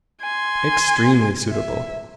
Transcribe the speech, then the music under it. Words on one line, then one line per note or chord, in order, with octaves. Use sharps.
Extremely suitable.
G#5 C6
E5